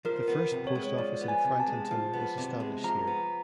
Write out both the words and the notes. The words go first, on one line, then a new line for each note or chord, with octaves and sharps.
The first post office in Franklinton was established here.
F3 A#4
B3
C3
C#5
G#3
F3 D5
B3
G#5
C3
A5
G#3
F3 A5
B3
C3
G#3
F3 A#5
B3